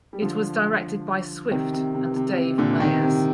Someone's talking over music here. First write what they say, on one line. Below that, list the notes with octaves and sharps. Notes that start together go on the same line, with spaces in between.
It was directed by Swift and Dave Meyers.
G3
D3 F3
C3 D#3
C3
C3
C3
C3
A#2 D3
C3 D#3
C3